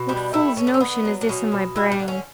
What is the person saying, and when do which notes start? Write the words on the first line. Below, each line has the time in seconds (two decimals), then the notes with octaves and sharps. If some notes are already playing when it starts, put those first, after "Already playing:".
What fool's notion is this in my brain?
Already playing: B2
0.09 G3 D4
0.33 A3 E4
0.56 A3 C#4
0.67 D4
0.74 C#4
0.80 D3 B3
1.05 F#3
1.21 D4
1.29 B2 C#4
1.52 B2
1.76 G3 E4
1.92 D4
2.00 D3
2.08 C#4